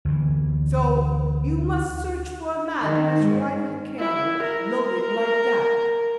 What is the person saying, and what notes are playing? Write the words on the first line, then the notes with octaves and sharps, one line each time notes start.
So you must search for a man who is riding a camel loaded like that.
D2 E3
D#3
G#2
E4
A#4